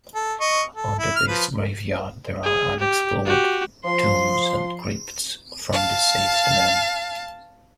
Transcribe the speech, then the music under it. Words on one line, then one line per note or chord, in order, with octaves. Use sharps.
Under this graveyard there are unexplored tombs and crypts from deceased men.
A4
D#5 C#6
A4
E4
F6
F3 B4
G#4
G4
F#4 G4
F3 C6
F5 A5